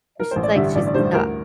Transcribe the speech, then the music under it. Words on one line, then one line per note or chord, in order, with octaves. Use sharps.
It's just like she's stuck.
A#4
A1 C5
D5
G2 D3 G3 E5
A1 D5
D5
G2 D3 G3 C5
D2 A#4